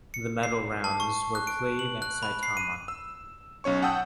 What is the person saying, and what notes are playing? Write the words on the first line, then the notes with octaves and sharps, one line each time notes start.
The Medal Rounds were played at Saitama.
C#7
C7
A5
C#6
F#6
D7
F#7
F#6
B5
C7
D#7
E6
B1 C#4 C#5 C#6
F#5 G5 A5 D#6 E6 G6